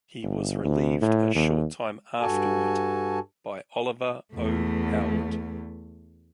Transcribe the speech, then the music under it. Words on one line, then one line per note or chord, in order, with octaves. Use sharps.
He was relieved a short time afterward by Oliver O. Howard.
G1
D2
A2
D#2
G2 F#4 A4 G#5 A5
E2 A3